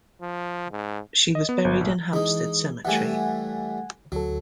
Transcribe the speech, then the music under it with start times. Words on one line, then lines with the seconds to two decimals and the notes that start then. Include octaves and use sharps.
She was buried in Hampstead Cemetery.
0.22 F3
0.71 G#2
1.35 D#5
1.49 B3
1.65 G1
1.81 A#1
2.13 E3 G#3 D#4
2.85 E3 G3 A3 F#5 G#5
4.12 D2 F#3 A4